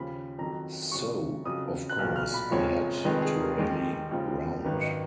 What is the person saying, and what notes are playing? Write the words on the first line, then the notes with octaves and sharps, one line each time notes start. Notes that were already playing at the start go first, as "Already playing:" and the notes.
So, of course, I had to rally round.
Already playing: D#2 C#3 F3 B5
F2 D#3 F#3 A#5
F2 C#3 F#3 C#6
F2 C#3 F#3 D#6
F#6
B1 A#2 F#3 F6
F6
B5
F#1 F2 F3 G#3 C#5
F1 F2 D#3 G#3 B4
G#4
A#4
D#2 D#3 G#3
D#2 C#3 F3 G#3
G#1 F#2 D#3 F#3 B4
D#5